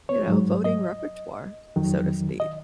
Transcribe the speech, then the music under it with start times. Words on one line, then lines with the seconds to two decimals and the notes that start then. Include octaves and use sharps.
you know, voting repertoire, so to speak.
0.09 C#5
0.27 G#2 F#3
0.64 D#5
1.76 F2 D#3 F#3
2.40 D#5